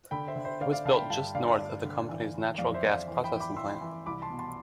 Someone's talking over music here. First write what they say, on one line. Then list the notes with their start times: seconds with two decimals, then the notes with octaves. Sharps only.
It was built just north of the company's natural gas processing plant.
0.11 D3 G5 B5
0.27 C5 E5
0.36 D3
0.45 C5 E5
0.61 D3 D5 F5
0.73 D5 F5
0.85 D3 F5 A5
0.97 G5 B5
1.10 G2 F5 A5
1.35 D3 D5 F5
1.47 D5 F5
1.59 G2
1.84 D3
2.09 E3
2.34 E3
2.58 F2 D5 F5
2.74 C5 E5
2.83 F2
2.91 D5 F5
3.08 E3 C5
3.24 G5 B5
3.32 E3
3.40 B5 D6
3.56 E3 C6 E6
3.81 E3
4.06 C2 B5 D6
4.22 A5 C6
4.30 B2
4.39 A5 C6